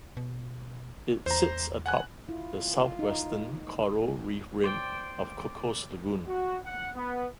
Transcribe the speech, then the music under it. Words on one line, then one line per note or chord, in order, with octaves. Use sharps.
It sits atop the southwestern coral reef rim of Cocos Lagoon.
B2
E2 C5 A#5
F#5 G#5 F#6
E4 F4
D#4
C5 D5 G5
F#4
F#5
B3